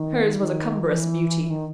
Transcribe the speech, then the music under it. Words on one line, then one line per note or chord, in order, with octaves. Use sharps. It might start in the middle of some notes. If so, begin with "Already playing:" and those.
Hers was a cumbrous beauty.
Already playing: D#3
D#3
F3
E3
D#3